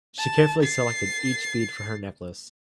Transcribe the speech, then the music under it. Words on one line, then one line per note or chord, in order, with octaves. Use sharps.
She carefully selected each bead for her necklace.
A5
A6 C7